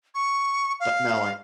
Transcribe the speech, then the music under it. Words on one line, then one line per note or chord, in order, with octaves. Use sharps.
but no, I
C#6
F5